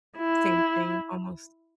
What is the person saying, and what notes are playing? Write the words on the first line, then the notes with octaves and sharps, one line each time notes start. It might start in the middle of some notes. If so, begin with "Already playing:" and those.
same thing almost
E4